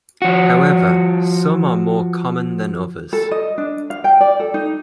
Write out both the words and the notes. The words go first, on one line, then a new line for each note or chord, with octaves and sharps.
However, some are more common than others.
F3 F#4
A4
D#5
D4
F5
G5
D5
A4
D#4